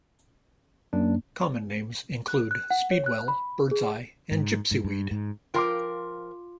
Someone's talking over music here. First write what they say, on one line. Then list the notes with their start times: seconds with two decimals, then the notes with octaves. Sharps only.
Common names include speedwell, bird's eye, and gypsyweed.
0.93 F#2 A#3 D4
2.28 F#6
2.51 F#6
2.71 F#5
2.91 C#5
3.06 F#6
3.28 B5
3.71 G#4
4.31 G#2
4.71 G#2
4.84 G2
5.11 G#2
5.54 F3 F4 A#4 G5 C6 D6